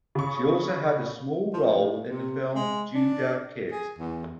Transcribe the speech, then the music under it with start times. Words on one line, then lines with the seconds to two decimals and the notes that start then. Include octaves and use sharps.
She also had a small role in the film "Judas Kiss".
0.15 C#3 C#6
1.54 F3
1.78 A2
2.09 C3
2.55 G#3
2.95 D4
3.72 G#4
3.98 E2